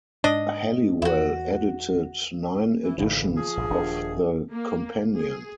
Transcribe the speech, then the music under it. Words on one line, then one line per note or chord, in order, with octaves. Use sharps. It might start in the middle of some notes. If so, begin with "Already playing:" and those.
Halliwell edited nine editions of the "Companion".
G#2 D4 D#5
E2 E4 F#4
E3
G#1 F2 C#3 E3
F3 G#4
A#1 G2
D#1 D4
A#3
G#4